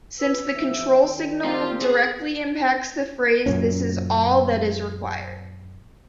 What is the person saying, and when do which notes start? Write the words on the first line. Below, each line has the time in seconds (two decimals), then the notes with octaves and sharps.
Since the control signal directly impacts the phase this is all that is required.
0.20 B4 E6
0.55 A1 F3 E4
1.03 D#3 D4 G5
1.45 C4 F4 G4 C5 F5
1.82 G#4
3.46 F#2 A#2 C#4